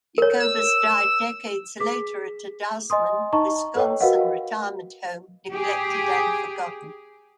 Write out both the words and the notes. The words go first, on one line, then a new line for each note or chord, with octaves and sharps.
Jacobus died decades later at a Dousman, Wisconsin, retirement home, neglected and forgotten.
A#4 C#5
E6
G#4 D6 B6
D#5 G#5 C6 D#6
D#4 D#5 A5 A#5 C#6
A4 B4 C#5 D#5 G5
F#4 A#4 B4 D#5 F5 F#5
G4 G#4